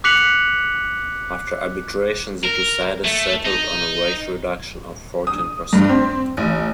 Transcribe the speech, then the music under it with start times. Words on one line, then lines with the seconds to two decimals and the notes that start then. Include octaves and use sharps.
After arbitration the two sides settled on a wage reduction of fourteen percent.
0.04 D6 F#6 B6 C#7 F7 F#7
2.44 A#4
3.05 A3
3.46 D#4
5.27 D#6
5.73 G2
5.89 C4
6.37 A1